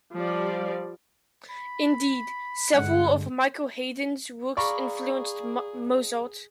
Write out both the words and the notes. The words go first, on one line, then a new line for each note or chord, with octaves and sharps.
Indeed, several of Michael Haydn's works influenced Mozart.
F3 G3 D5
B5
G2 D3 G#3 F#5
G#4 D5 F5 A#5 B5 C#6